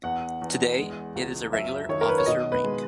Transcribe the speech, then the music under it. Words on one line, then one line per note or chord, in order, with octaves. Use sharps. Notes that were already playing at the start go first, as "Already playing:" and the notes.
Today, it is a regular officer rank.
E2 F#5
E2
G#3
C#2
F#2 E5
D#3 C#5
A#4
B4
C#5
B2 D#5
B4
G#3